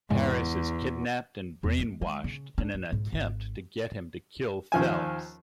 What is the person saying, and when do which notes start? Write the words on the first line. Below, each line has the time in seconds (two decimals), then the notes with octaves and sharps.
Paris is kidnapped and brainwashed in an attempt to get him to kill Phelps.
0.10 E2 G#2 C#3 G#3
1.63 E2
1.79 G#3
2.02 G#3
2.24 C#3
2.58 D4
2.74 F#2
2.92 G#2
3.12 G#1
4.72 D#2 F3 G#5